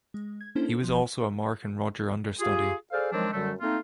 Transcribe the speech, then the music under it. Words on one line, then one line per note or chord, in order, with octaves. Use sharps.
He was also a Mark and Roger understudy.
G#3
G#6
A#3 C#4 D4 E4 A4 C5
A4
G1 F3
F4 G4 G#4
G#4 A4 C5 D5 F5
D#3 F3 F#3 G#3 C4 D4
F#2 D3 F#3 G3 A3
A3 A#3 C4 D#4 F4